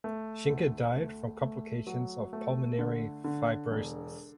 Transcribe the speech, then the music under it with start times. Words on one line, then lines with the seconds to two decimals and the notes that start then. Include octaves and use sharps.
Shenker died from complications of pulmonary fibrosis.
0.04 A3
0.50 D2
0.96 A3
1.41 A3
1.87 F#3
2.33 A3
2.79 D3
3.24 D3
3.70 E1